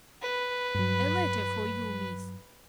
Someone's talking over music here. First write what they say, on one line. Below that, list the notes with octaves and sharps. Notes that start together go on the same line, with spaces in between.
A letter for you, Miss.
B4
G2 F#3